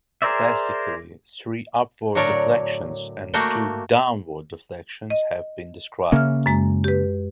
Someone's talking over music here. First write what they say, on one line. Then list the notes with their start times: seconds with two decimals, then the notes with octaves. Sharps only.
Classically three upward deflections and two downward deflections have been described.
0.22 G#4 A#4 C5 D5 E5
2.15 A2 D3 F#3 A#4 C#5 D5
3.34 A3 A#3 F#4 G4 G5
5.10 D#5
6.12 C#3 A#3 C#4 E5 F6
6.46 F#2 G#3 A#5
6.84 G4 B4